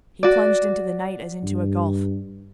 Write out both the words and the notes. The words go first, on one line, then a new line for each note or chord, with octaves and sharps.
He plunged into the night as into a gulf.
F#4 D5
G2